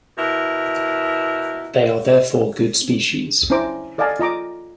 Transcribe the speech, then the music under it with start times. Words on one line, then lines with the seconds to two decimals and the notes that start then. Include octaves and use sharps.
They are therefore good species.
0.18 B2 E4 A#4
3.50 C#4 D4 E4 C5 A#5 D6
3.98 A4 D5 D#5 F5 G#5 A5
4.19 F4 D#5 A#5 D6